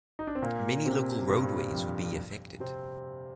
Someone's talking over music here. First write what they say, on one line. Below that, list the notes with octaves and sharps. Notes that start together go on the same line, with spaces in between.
Many local roadways would be affected.
D#4
D4
C4
A#2 A#3
C3 C4
G2 G3
F2 F3
C3 C4